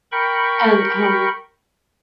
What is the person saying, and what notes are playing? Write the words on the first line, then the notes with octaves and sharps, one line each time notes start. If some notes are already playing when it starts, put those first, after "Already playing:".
And, um,
A#4 G5 B5 C#6